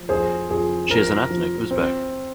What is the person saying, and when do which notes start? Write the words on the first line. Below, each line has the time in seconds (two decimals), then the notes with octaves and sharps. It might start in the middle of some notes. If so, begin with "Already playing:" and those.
She is an ethnic Uzbek.
Already playing: F3
0.09 F2 G#4 C5
0.50 F2 G#4
0.90 F3 A#4
1.31 F3
1.71 C4